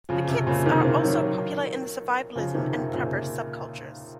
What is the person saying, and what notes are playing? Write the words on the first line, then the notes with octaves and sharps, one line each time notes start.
The kits are also popular in the survivalism and prepper subcultures.
C#3 F3
C3
A#2 C#3
C3 D#3
C3 D#3
D#3 F#3
C#3 F3
C3 D#3
C3
A#2 C#3